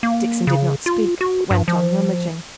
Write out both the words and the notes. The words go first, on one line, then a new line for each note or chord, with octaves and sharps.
Dixon did not speak, but went on rummaging.
A#3
C#3
F4
F#4
G2
F3